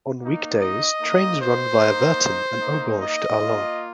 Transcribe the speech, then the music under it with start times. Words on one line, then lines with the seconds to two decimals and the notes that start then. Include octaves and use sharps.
On week-days trains run via Virton and Aubange to Arlon.
0.21 A#3 D#4
0.61 D#5
1.01 A#3 D#4
1.40 C5
1.80 A#3 D#4
2.60 A#3 D#4
2.99 D#5
3.39 A#3 F4